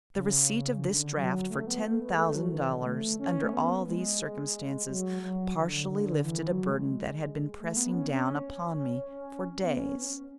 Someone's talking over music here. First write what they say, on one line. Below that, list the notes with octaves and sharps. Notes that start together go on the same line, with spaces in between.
The receipt of this draft for ten thousand dollars, under all these circumstances, partially lifted a burden that had been pressing down upon me for days.
C#3
D3
F#3
A3
B3
A3
B3
G#3
A3
F#3
E3
D3
A3
C#4
A3
B3
G#3
G#3
F#3
F#3
D3
D3
E3
F#3
G#3
A3
B3
C#4
C#4
B3
C#4